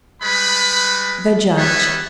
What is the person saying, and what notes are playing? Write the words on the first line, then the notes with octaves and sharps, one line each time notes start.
The Judge.
G3 G#3 B4 B5
G3 B3 B4 C#5 E5